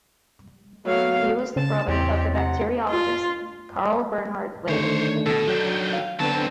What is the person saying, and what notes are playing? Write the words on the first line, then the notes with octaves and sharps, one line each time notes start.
He was the brother of the bacteriologist Karl Bernhard Lehmann.
F#3 A3 B3 F5
C#3 A5
E2 C4 E4 G4 C#5 A6
C3 F#5
F4
D3 D#3 A3 C5 C#5
B2 A4
D#3 F#3 D4 G6
F5
D3 F#3 B3 C4 A5